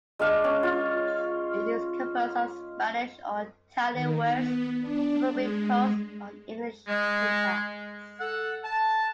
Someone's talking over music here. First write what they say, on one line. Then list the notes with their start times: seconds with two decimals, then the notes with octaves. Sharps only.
It is composed of Spanish or Italian words superimposed on English syntax.
0.19 G#3 D4 F5
0.44 C#4
0.63 F4
3.92 D#3
4.27 B3
4.81 D4
5.32 G#3
6.87 G#3
8.20 A4 F#5
8.63 A5